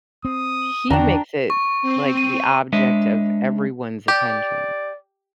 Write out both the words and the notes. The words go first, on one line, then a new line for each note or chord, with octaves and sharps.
He makes it, like, the object of everyone's attention.
C4 D#6
E2 D3 D#3 D4 F#4 G5 A#5
C#6
C4
D#7
G#3 D4 B4 C#5 D#5 E5
G4 D5